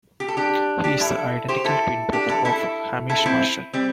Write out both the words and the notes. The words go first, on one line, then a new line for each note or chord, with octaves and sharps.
He is the identical twin brother of Hamish Marshall.
G4
A4
D4 G4
D4 G4
E4 A4
G4 C5
E4 A4
D4 G4
E4 A4
E4 A4
E4 A4
C4 E4
G3 C4